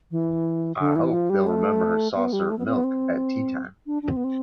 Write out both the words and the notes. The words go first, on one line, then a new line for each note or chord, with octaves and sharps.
I hope they’ll remember her saucer of milk at tea-time.
E3
D3
E3
F3
G3
A3
B3
G3
A3
B3
C4
B3
C4
D4
D4
C4
B3
C4